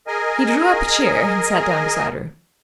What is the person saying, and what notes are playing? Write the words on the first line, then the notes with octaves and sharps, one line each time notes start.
He drew up a chair and sat down beside her.
G#4 A#4 D#5 G#5